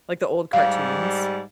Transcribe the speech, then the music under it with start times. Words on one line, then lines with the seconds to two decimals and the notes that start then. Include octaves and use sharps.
Like, the old cartoons.
0.53 G#2 G3 F5